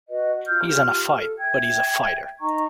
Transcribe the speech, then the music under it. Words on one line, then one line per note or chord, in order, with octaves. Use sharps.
He's in a fight, but he's a fighter.
F#4 B4 D#5
F4 F6 G6
F4 G4 F6
A4
E5 G5 G#6
D#4 D#5 A#5 C#6